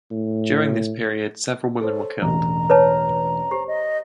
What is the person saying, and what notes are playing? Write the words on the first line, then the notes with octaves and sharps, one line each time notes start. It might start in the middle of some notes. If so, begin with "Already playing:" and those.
During this period, several women were killed.
A2
A4 C5 C#5
E1 A1 A#5
B4 C#5 A5
G4 C5
D#5